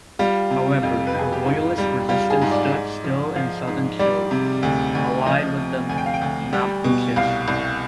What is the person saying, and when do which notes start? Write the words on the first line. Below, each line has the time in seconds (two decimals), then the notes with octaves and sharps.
However, a Royalist resistance stood still in southern Chile, allied with the Mapuches.
0.19 G3 F4
0.51 C3
0.82 F2 F4
1.07 B4
1.14 F2
1.19 G#4
1.33 G4
1.45 G#2 F4
1.78 G3
2.09 G3 F4
2.30 G#4
2.41 G#2
2.51 D5
2.72 G#2
3.04 F3
3.36 F3 F5
3.67 G#2
3.99 G3 D5
4.31 C3
4.63 D2
4.95 D2
5.26 F3 D#5
5.58 C3
5.89 D2 G#5
5.98 G5
6.06 F5
6.14 G5
6.21 D2
6.53 G3
6.84 B2
7.16 C2 F5
7.48 C2